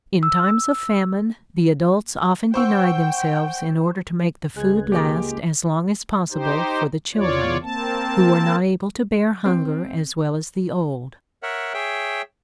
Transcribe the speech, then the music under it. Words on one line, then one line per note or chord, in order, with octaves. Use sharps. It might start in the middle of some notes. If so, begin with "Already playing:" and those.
In times of famine, the adults often denied themselves in order to make the food last as long as possible for the children, who were not able to bear hunger as well as the old.
E6
C5 F#5 G5 C#6 E6
C#2 G#3 F#6 G#6
G#3 A#3 G4 D6
D#4 G4 C5
E2 F4 C#5 D5
A#3 C4 A5
C4
A#4 C#5 E5 F#5
G#4 C#5 E5 G5